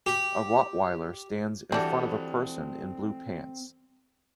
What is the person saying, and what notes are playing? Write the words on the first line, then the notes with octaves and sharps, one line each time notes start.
A rottweiler stands in front of a person in blue pants.
G4
E3 G3 C4 D4 F#4 A4 F#5